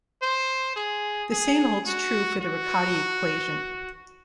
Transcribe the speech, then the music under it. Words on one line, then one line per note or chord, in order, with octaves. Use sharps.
The same holds true for the Riccati equation.
C5
G#4
G#4
F#4
F#4